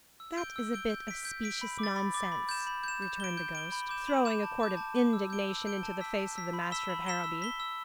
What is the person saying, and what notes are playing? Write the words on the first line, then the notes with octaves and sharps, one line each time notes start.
"That is a bit of specious nonsense," returned the ghost, throwing a quart of indignation into the face of the master of Harrowby.
E6
G6 D7 G7
E6
G6 D7 G7
G6
B6 D7
G6
B6 D7
B5
D6 A6
B5
D6 A6
B5
G6 E7
B5
G6 E7
G6
D7 G7
G6
D7 G7
B5
D6 G6 E7
B5
D6 G6 E7
A5
D6 G6
A5
D6 G6
E6
G6 D7 G7
E6
G6 D7 G7
A5
E6 B6
A5
E6 B6
B5
E6 B6 E7 G7
B5
E6 B6 E7 G7
E6
B6 G7
E6